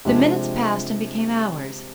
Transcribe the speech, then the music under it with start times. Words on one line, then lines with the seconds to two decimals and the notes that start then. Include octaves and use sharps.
The minutes passed and became hours.
0.05 C3 F3 G#3 D4 G4